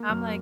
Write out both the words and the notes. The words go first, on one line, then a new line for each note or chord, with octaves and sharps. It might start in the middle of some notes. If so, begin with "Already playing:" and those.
I'm like
Already playing: A#3
F#2 F6